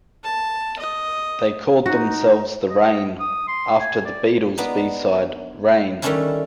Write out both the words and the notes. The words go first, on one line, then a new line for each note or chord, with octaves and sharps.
They called themselves The Rain, after The Beatles' B-side, "Rain".
A5
D#5
D#4 F#4
D#5
D#6
C6
G#5
D5
B3 D4 D#4
D#3 G3 A3 C#4 D4 E4